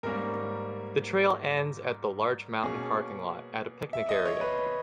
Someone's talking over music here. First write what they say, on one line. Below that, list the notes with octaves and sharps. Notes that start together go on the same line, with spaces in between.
The trail ends at the Larch Mountain parking lot, at a picnic area.
G#2 G3 A#3 C#4 A#4
B2 A#3 C#4 G#4
E5
D#5
C#5
B4